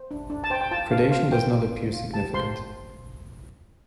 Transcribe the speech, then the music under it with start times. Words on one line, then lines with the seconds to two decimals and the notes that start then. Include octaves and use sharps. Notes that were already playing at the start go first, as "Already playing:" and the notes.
Predation does not appear significant.
Already playing: C5
0.11 D4
0.30 D4
0.44 A5
0.50 C5 G5
0.61 G5
0.71 F4 A5
0.92 F4 F5
1.11 C5 F5
1.32 C5 G5
1.52 F4
1.73 F4
1.93 F4
2.13 G4 A5
2.34 C5 C6